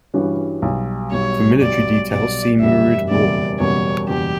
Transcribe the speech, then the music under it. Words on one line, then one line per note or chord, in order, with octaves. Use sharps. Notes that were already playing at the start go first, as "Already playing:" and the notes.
For military details see Murid War.
G2 E3 G3 C#4 F#4
B1 B2 G3
B1 B2 G3 C#5
B1 B2 G3 D5
B1 B2 G3 D5
F#1 E2 B2 G3 E5
F#1 E2 B2 G3 D5
F#1 E2 B2 G3 C#5
F#1 E2 B2 G3 G4